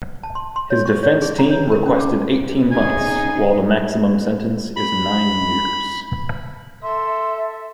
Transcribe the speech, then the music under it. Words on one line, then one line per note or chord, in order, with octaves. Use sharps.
His defense team requested eighteen months, while the maximum sentence is nine years.
A5
C6
C6
C#5
C#6
C#5
G#4
A#5
C#5
A#4
C#4
D6
C#3 D#4 G#4 G#5
B5
A4 E5 C6